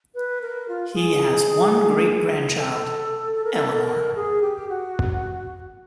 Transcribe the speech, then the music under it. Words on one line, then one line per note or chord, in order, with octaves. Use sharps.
He has one great grandchild—Eleanor.
B4
A#4
F4
G#4
A4
A4
A#4
A4
A#4
G#4
G4
F#4